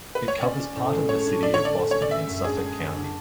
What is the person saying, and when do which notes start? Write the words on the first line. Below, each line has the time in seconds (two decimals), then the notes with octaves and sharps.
It covers part of the city of Boston in Suffolk County.
0.15 B4
0.28 C#5
0.41 C#4 D5
0.59 C#4
0.75 A2
0.93 G#3
1.09 A3 C#5
1.26 D4
1.43 D4 D5
1.54 C#5
1.60 D3
1.65 D5
1.77 C#4
1.91 C#4 C#5
2.02 D5
2.11 G#3 E5
2.28 F#2
2.44 D4 G#4
2.62 G#3
2.79 F#2
2.96 D4